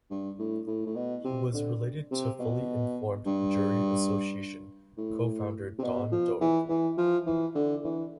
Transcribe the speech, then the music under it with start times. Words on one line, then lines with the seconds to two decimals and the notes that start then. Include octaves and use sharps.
He was related to Fully Informed Jury Association co-founder, Don Doig.
0.10 G2
0.39 A2
0.67 A2
0.86 A2
0.96 B2
1.25 C3
1.54 D3
2.11 C3
2.39 B2
3.26 G2
4.97 A2
5.79 C3
5.83 B2
6.12 F3
6.41 E3
6.69 E3
6.98 F3
7.26 E3
7.55 D3
7.84 E3